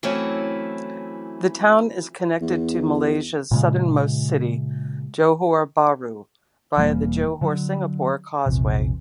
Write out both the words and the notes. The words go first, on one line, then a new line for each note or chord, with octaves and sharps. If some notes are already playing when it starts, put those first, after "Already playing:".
The town is connected to Malaysia's southernmost city, Johor Bahru, via the Johor-Singapore Causeway.
E3 F#3 A3 C4 C#4 E4
E2
A#2 C#3 G#3
E1 E3 G3 A#3
D3 F#3
A#1 E2 C3